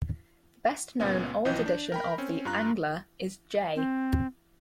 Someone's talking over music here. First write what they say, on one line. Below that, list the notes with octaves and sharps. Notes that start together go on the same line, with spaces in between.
The best-known old edition of the "Angler" is J.
C#2 A#2 B3 C#4
B1 E3 F3 D#5 G5 G6
D4
A#4 G5 B5
C4 C#4
G2 F4 A#5 F#6
C4